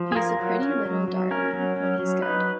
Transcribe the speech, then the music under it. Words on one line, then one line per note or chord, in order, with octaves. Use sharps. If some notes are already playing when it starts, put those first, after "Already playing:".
He’s a pretty little darling when he’s good.
Already playing: F3
G#4
F4 A#4
F#3
C#4
F#3
F#3
C#4 A#4
F#3
C#4
F#3
D#4 B4